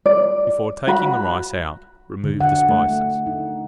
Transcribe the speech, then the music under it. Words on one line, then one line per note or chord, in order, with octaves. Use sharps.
Before taking the rice out, remove the spices.
D5
F#4 B5
D3
F#5
A3
D#4